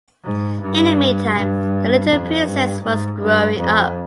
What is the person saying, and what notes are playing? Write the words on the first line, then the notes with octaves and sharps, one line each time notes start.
In the meantime, the little princess was growing up.
G#2
G2
G2
F2
G2
G#2
G2
F2